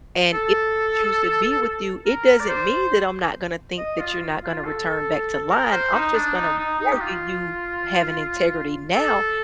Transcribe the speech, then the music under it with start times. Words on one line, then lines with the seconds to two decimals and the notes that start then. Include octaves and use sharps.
and if I choose to be with you, it doesn't mean that I'm not gonna think that you're not gonna return back to lying, I'm just gonna value you for having integrity now,
0.33 A4
2.05 A#4
2.40 D5
2.48 C5
3.78 D#5
3.99 F4
4.43 F4
4.64 A4
5.50 A#4
5.71 C5
5.94 D#4
6.15 D4
6.36 D#4
6.58 D#4
6.79 D#4
6.92 G4
7.01 F4
8.95 A4